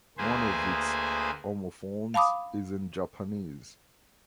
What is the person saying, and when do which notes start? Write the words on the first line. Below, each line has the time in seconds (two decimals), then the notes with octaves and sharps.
One of its homophones is in Japanese.
0.18 D2 A#3 G#4 B4 C5 G#5
2.14 F5 A5 B5 D6 D#6